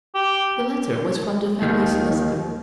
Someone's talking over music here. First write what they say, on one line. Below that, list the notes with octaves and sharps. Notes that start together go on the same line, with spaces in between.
The letter was from the family solicitor.
G4
D#2 D#3